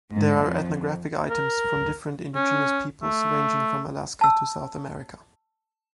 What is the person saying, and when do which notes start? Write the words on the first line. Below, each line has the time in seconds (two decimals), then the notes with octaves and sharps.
There are ethnographic items from different indigenous peoples ranging from Alaska to South America.
0.11 G#2
0.42 F2
1.30 A#4
2.35 C#4
3.03 A3
4.21 A5 E6